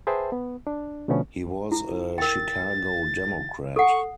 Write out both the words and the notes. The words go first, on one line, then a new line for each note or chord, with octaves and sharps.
He was a Chicago Democrat.
G#4 B4 C5 E5 G5 A5
B3
D4
B2 D3 F3 A3 B3 C#4
E4
A#4 G5 A6
A4 F#5 C#6